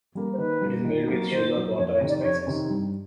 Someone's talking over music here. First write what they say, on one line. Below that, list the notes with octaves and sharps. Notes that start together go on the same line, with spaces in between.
It is made with sugar, water and spices.
G3 A#3
C5
D#3 B4
G3 A#3
D#3
F#3 A#3
D#3 C5
F#3 A#3
F2 C#5
C#5
C3 D#3
D5
C5
F2 C#5
C3 D#3
G2